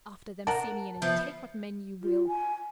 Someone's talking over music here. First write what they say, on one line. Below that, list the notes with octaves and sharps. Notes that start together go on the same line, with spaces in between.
"After them, Simeon, and take what men you will."
A#4 F#5 A5
F3 B3 E5
F4
G#5